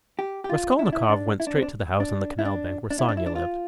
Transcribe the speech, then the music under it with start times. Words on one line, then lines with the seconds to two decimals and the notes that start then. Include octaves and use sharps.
Raskolnikov went straight to the house on the canal bank where Sonia lived.
0.19 G4
0.44 G4
0.50 F4
0.79 E4
0.86 D4
0.93 E4
1.09 D4
1.40 E4
1.47 D4
1.55 C4
1.62 D4
2.00 D4
2.39 E4
2.45 D4
2.90 D4
2.99 E4
3.09 D4
3.17 E4
3.26 D4
3.35 F4